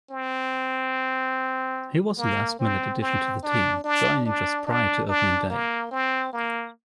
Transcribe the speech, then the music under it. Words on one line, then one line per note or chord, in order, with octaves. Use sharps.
He was a last-minute addition to the team, joining just prior to opening day.
C4
A#3
C4
C4
D4
D4
D4
D4
D4
A#3
C4
A#3